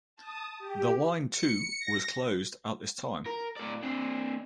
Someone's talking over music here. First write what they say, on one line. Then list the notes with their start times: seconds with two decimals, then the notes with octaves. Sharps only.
The line to was closed at this time.
0.16 A5 D#6
0.59 G4
1.32 C#7
1.80 A#6
3.26 A#4
3.56 A2 D5
3.83 C4 D4